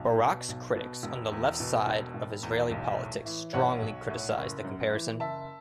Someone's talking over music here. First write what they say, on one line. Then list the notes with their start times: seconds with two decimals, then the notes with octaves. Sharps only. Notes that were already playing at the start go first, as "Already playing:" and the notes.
Barak's critics on the left side of Israeli politics strongly criticised the comparison.
Already playing: B1
0.20 B2
0.48 B1
0.75 B2
1.03 E1
1.32 E2
1.60 B2
1.87 E1
2.14 E1
2.43 E2
2.71 B1
2.98 A2
3.25 E3
3.53 B1 C#5 F#5
3.82 B1
4.09 A2
4.37 F#1
4.64 F#2
4.92 E3
5.20 F#1 E5 A5